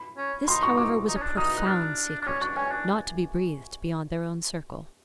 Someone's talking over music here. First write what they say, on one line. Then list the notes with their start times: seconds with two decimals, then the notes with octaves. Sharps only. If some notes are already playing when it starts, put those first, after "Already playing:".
This, however, was a profound secret, not to be breathed beyond their own circle.
Already playing: B5
0.17 C#4
0.48 D#4 C6
0.63 C#6
0.77 D#4 D6
1.08 D#4
1.16 C#4
1.22 D4
1.37 D#4 D#6
1.57 F#6
1.67 D4 F6
2.21 D4
2.27 C#4 D6
2.41 D4 C#6
2.56 C#4 G#5
2.71 D4